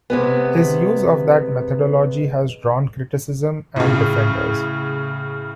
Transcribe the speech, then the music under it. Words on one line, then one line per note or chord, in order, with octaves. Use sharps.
His use of that methodology has drawn criticism and defenders.
C3 G#3 B3
A2 C#3